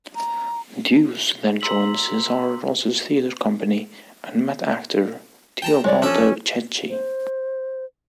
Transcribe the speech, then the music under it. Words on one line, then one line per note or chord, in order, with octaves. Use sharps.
Duse then joined Cesare Rossi's theater company, and met actor Teobaldo Checchi.
A#5
A#5 C6 E6 B6 F#7
G5 A5 A#5
C2 G#3 C#5 D5
F3 C#4 D4 A4 E5
C5